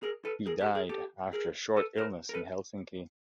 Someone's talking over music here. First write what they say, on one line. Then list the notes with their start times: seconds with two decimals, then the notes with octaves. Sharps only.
He died after a short illness in Helsinki.
0.03 G#4 A#4
0.25 A4 B4
0.46 G#4 A#4
0.61 G4 A4
0.75 G#4 A#4
0.89 G4 A4
1.33 G#4 A#4
1.77 A4 B4
1.98 A#4 C5
2.29 A#4
2.34 A4 B4